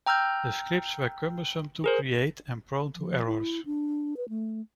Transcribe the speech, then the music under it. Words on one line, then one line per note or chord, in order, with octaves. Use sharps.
The scripts were cumbersome to create, and prone to errors.
G5 A#5 E6 F6 G6
G#4 A#4 C5
F3
E4
D4
B4
A3